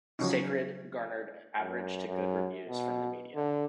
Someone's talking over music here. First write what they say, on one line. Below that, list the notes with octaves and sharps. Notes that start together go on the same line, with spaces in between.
"Sacred" garnered average to good reviews from the media.
C#3 F3 F#3 C#4 D#4
F#2
F#2
B2
D3